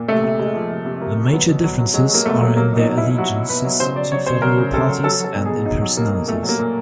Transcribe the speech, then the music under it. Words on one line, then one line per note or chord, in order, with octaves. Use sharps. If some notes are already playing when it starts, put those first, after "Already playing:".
The major differences are in their allegiances to federal parties and in personalities.
Already playing: A#2
C3 A3
C3
C3 G#3
F3
C3
C3
C3 A#3
C3
F#3 B3
B2
F#3
F#3
F#3 G#3
F#3 A#3
B2 A3
F#3
F#3 A#3
B2 D#4
F#3
E4
B2
F#3 F#4
F#3
B2 B4
F#3
C#3 C5
F#3 D5
F#3 C#5
C#3 C5
F#3 A#4
C#3
C#3 A4
F#3
F#3 A4
F#3 A4
B2
G#4
B2
F#3 D#4
F#3
B2 A#3
B2
A#2 A3
F#3
A#3
A#2